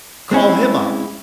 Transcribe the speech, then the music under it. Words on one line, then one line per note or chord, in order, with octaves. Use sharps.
Call him up
G#3 C4 C#4 E4